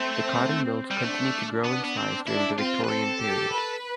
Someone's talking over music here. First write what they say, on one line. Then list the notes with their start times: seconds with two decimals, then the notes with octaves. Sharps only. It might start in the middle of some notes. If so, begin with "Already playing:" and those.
The cotton mills continued to grow in size during the Victorian period.
Already playing: A3 C4
0.91 G3
1.03 A3 D4
1.65 B3
1.84 B3
1.97 C4
2.27 D4 E4
2.58 C4 F4
2.84 B4
2.88 C4 A4
3.20 G4
3.51 B4